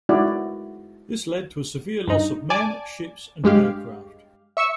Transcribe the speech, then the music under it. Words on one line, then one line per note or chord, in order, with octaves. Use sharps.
This led to a severe loss of men, ships, and aircraft.
G#3 D#4 E4 F#4 D5
G2 D#4
D5 G#5 A5 D6
G2 G#3 G4 F5
E5 C#6 E6 C#7